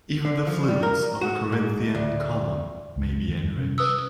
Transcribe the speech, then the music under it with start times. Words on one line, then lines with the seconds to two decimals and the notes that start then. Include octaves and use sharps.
Even the flutes of a Corinthian column may be enriched.
0.25 D3
0.47 F3
0.69 G3
0.83 A#4
1.21 F#4
1.52 G#2
1.95 D2
2.96 C#2 G#3
3.27 F2 D#3
3.44 G3
3.58 C3 G3 C#4
3.78 B4 D#6 E6